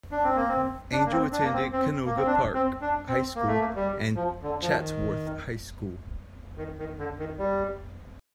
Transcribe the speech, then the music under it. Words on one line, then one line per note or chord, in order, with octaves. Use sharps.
Angel attended Canoga Park High School and Chatsworth High School.
D4
C4
A#3
C4
D4
A#3
C4
D4
A#3
C4
C4
A#3
C4
D4
C4
D4
C4
A#3
A3
A#3
G3
F3
D3
F3
D#3
D#3
D#3
D3
D#3
G3